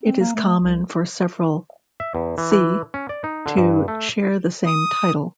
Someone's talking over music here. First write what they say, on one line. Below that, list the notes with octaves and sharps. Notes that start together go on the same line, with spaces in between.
It is common for several "ci" to share the same title.
C4
A#3
A3
C2
E5
E2
E3
E3
C#4
D5
D#4
D3
G2
A3
D#6